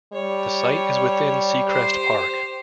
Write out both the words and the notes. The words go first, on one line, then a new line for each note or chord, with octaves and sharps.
The site is within Seacrest Park.
G3 C#5
G4 C5